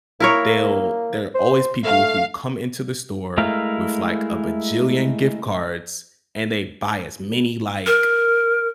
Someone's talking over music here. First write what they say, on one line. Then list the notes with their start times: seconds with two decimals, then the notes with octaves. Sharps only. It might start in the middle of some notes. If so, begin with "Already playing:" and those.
they'll they're always people who come into the store with, like, a bajillion gift cards and they buy as many, like,
0.20 A#3 E4 A#4 C#5
1.34 C5
1.84 A3 F5
3.38 G#3 A3 E4 A#4 F5
7.86 A#4